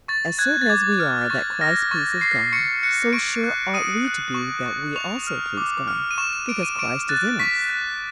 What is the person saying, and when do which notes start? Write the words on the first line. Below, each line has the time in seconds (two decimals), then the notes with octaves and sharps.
As certain as we are that Christ pleases God, so sure ought we to be that we also please God, because Christ is in us.
0.08 C#6 A6
0.39 F#6 G#6
0.61 A6
0.69 D6 G#6
1.00 F6
1.30 C#6 A6
1.61 F6 A#6
1.91 C#6 A6
2.21 C#6 C7
2.52 C#6 C#7
2.83 F#6 C#7
3.13 C#6 D7
3.44 F#6
3.74 D#6 D#7
4.05 F#6
4.34 C#6
4.66 C#6
4.96 C#6 F7
5.27 F6
5.57 D6
5.88 F6
6.11 D#7
6.18 C#6 E7
6.33 D#7
6.48 C#6 D7
6.63 D#7
6.79 C#6 D7
7.09 F#6 A6
7.40 C#6 B6
7.70 F#6